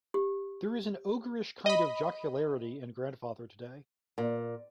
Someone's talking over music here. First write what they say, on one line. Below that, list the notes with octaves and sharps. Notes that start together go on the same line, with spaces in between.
There is an ogreish kind of jocularity in Grandfather today.
G4
D#5 B5
A#2